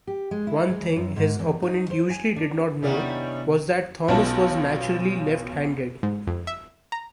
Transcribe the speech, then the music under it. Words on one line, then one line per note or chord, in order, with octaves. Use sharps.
One thing his opponent usually did not know was that Thomas was naturally left-handed.
G4
G#3
E4
G#3
D#2
F#2
G#2
E2
D#4
C5
G#5
D4
C3 D#3 G3 B3 C#4 D4 E4
B1 B3 C#4 F4 A5
G#2
F2
E5
A#5